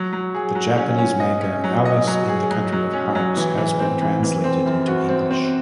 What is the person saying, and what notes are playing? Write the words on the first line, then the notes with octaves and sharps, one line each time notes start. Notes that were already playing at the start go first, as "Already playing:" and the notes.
The Japanese manga "Alice in the Country of Hearts" has been translated into English.
Already playing: F#3
F#3
G#4
F#3
C#4
C#4
D#5
C#4
F#3
D#5
F#3
G#4
F#3
F#3
C#4
F#3
E3
E3
C4
E3
E3
C4
F#2
F#4
C4
C4